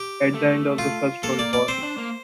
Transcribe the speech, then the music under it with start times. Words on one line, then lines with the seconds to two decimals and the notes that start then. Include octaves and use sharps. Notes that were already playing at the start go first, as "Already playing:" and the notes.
At the end of the First World War.
Already playing: G4
0.34 A3
0.78 F4
1.23 A#3 A4
1.39 D5
1.53 D5
1.68 C4 C5
1.83 D4
1.98 A#3